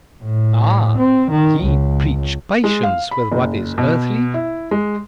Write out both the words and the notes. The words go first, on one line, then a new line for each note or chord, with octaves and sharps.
Ah! ye preach patience with what is earthly?
A2
C4
D#3
C#2
G#3
F5
B5
F#1
B2
E4
G#3